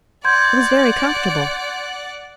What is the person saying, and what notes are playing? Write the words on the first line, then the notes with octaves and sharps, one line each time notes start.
It was very comfortable.
D5 F#5 C6 G6 G#6